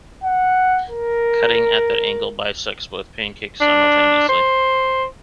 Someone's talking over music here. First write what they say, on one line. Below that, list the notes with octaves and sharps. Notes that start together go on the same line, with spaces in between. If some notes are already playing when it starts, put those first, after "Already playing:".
Cutting at that angle bisects both pancakes simultaneously.
F#5
A#4
D4
C5